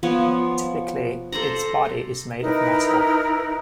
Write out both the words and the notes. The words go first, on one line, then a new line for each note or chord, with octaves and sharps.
Typically its body is made of metal.
F3 B3 C#5
A4 C5 D5 A#5
D#4 E4 A#4 B4